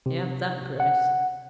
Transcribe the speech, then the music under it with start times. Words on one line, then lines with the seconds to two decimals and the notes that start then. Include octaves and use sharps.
He had that grace.
0.06 C3
0.80 F#5